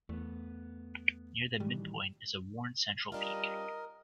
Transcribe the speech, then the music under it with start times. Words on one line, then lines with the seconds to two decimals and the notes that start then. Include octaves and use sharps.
Near the midpoint is a worn central peak.
0.09 E2 A3 B3
1.60 A2 D#3 E3 G3
3.12 G3 C#4 D4 F4 A#4 D#5